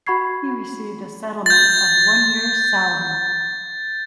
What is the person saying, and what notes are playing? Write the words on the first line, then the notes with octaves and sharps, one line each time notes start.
He received a settlement of one year's salary.
F#4 F#5 B5 C#6 G#6 C7
G6 A6